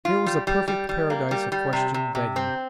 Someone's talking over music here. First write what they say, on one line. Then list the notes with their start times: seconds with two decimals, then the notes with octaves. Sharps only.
Here was a perfect paradise of question begging.
0.05 F4
0.26 G3
0.47 G3
0.68 G3
0.89 G3
1.10 A#3
1.31 G3
1.52 G3
1.73 C3
1.94 C3
2.15 C3
2.36 C4